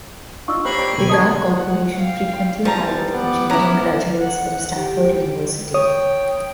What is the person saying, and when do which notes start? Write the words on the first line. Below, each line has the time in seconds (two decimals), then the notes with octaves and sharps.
Vidar Corporation frequently hired engineering graduates from Stanford University.
0.48 D4 D#4 F4 C#6 E6
0.65 A#3 G4 C5 C#5 B5
0.78 G4 D5
0.98 B2 D3 A#3 G#5
1.10 D#5 A5 C#6 D#6 G#6
1.50 F#5
1.98 F5 G5
2.65 F3 G3 B3 A#5 A6
3.14 B3 F#5 D6
3.50 C#3 C#4 E4 A#5
4.20 F#5
4.73 G4
5.74 C#5 G5 D#6